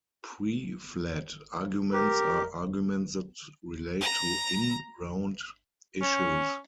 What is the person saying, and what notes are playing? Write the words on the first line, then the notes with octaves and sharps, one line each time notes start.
"Pre-fiat" arguments are arguments that relate to in-round issues.
G4 A#4
A#5
C#4